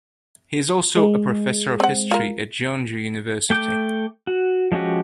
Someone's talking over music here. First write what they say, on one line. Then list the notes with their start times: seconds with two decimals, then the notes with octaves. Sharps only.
He is also a professor of history at Jeonju University.
0.96 G#3
1.80 C4 F#5
2.11 F4 A#4
3.50 A3 G5 D6 G6
4.27 F#4
4.72 F3 G#3 C#4 F#4 G4